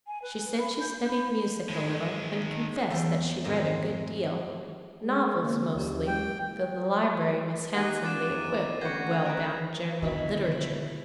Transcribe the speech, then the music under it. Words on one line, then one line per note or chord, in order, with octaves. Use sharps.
She said she studied music a little, and confessed that she read a good deal, novels mostly, though the library was handsomely equipped with well-bound general literature.
G#5
B4
B5
G6
B5
D#3 G#3
E2 G3 G5
F2 G#2 D#3 D#5
G#3
D3 A#3
F#1 D#2 G4
G#3 G4 G5
D#2 G4 A#4 F#5 G#5 F#6 C7 D#7
C#2 D3 F4 F#4 D5 F#6 A6 E7
E2 D#3 E4 A#4 D#7
A1 D3 F#4 G5 C#6 G#6 A#6 C7
A#4 B4
B2 D3 D#3 E4 F#4 D#5 E5